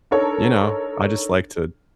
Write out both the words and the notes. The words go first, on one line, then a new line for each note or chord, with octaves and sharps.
you know, I just like to
D4 D#4 A4 A#4 C#5